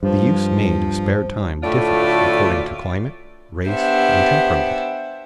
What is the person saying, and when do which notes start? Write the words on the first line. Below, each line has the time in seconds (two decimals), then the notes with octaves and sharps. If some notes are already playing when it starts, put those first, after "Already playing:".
The use made of spare time differs according to climate, race, and temperament.
0.03 G2 F3
1.63 D2 A2 A3 F4 D5
3.66 B3 D4 G4 C5 E5 F#5